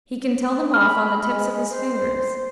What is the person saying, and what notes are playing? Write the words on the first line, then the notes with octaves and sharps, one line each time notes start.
He can tell them off on the tips of his fingers.
B5 F6
G#3
C5